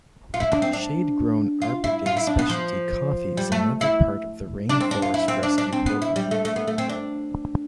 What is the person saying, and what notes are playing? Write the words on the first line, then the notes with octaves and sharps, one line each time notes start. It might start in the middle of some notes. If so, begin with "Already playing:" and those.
Shade-grown Arbor Day Specialty Coffee is another part of the Rain Forest Rescue program.
F4
E4
D4
C4
D4
F4
E4
F4
E4
D4
B3
F3
G3
A3
E4
D4
C4
D4
F4
E4
C4
D4
D4
C4
B3
E4
G3
A3
A3
B3
A3
C4
D4